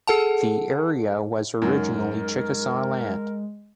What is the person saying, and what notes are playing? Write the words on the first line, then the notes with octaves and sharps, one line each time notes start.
The area was originally Chickasaw land.
G#4 A4 F#5 A5
F#2 D#3 G#3 A#4